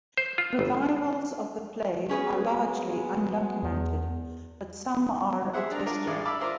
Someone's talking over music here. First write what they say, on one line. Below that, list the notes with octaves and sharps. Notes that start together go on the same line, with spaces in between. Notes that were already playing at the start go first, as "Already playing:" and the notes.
Revivals of the play are largely undocumented, but some are attested.
C5
F4
G1
F#3 G#3 B3 C#4 G#4 B4
E2
G4 G#4 C5 E5 F#5
D4 A#4 A#5
D4 F4 A#4 D5
A1 G#4 D5
E5 F5 A5 B5 D6 E6
F4 A#4 C5 D5 E5